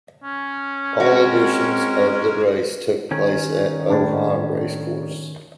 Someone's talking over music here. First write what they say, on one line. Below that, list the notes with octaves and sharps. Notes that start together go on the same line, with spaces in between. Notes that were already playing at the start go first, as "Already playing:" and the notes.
All editions of the race took place at Ohi Racecourse.
C#4
G#3 C4 F#4 A#4
D#3 C#4
A2 D4